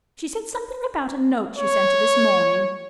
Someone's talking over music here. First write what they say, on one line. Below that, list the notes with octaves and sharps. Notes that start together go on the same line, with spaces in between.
She said something about a note you sent her this morning.
C#5